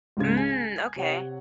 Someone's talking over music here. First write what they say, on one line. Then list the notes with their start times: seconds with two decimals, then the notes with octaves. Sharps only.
Mm, okay.
0.17 C#2 G#2 C#3 G#6
0.37 G#5
0.96 C3 C#5 F#5